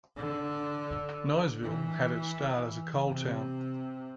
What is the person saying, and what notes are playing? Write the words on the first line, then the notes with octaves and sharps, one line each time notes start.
Nyesville had it start as a coal town.
D3
E3
C3